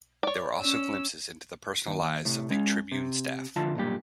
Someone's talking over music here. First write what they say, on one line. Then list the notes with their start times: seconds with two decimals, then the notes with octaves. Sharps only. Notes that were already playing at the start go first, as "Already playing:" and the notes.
There were also glimpses into the personal lives of the "Tribune" staff.
0.23 C#5 D5
0.61 C#4 E6
1.87 D#2
2.25 A2 C3
2.50 G#3 C#4
2.92 C3
3.56 F2 D3 F4 E5 A5
3.75 B1 G2 A#2 G4